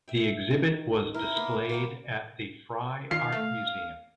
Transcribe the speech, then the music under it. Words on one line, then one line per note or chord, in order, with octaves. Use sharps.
The exhibit was displayed at the Frye Art Museum.
E5 G5
D#3
E4 A#4 B4
A#3 B3
A#3 B4 F#5 G5
D#3 F4 F5 C7
A3